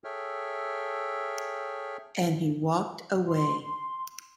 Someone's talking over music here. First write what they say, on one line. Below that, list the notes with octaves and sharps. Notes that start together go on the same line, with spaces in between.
And he walked away.
G#4 A4 C#5 E5 G5 F6
C6